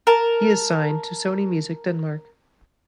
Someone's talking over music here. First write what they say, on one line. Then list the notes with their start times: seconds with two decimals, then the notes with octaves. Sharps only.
He is signed to Sony Music Denmark.
0.07 A#4 A5